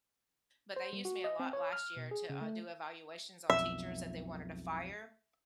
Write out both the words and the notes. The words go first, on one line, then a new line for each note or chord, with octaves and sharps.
But they used me a lot last year to, uh, do evaluations on teachers that they wanted to fire.
C5
G3
F#4
D#5
C4
C#5
F6
B2
G#4
C#3
A3
B1 F2 E5